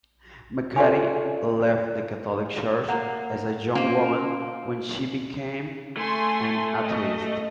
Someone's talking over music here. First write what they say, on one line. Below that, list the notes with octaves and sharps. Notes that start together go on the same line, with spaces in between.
McCarthy left the Catholic Church as a young woman when she became an atheist.
C#4 F4 A4 D5
A#3 F#5
A#3 C#4 F4 C5
A3 G#5 C6
D#5